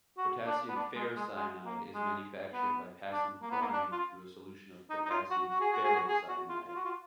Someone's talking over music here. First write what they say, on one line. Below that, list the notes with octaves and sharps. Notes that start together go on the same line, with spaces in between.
Potassium ferricyanide is manufactured by passing chlorine through a solution of potassium ferrocyanide.
F#4
D4
B3
D4
G#3
G#3
G#3
A#3
G#3
B3
D4
A#3
B3
A#3
D4
F4
D#4
D#4
F4
F#4
F#4
G#4
F#4
G#4
F#4
G#4
F#4
F4
F4
F#4
F4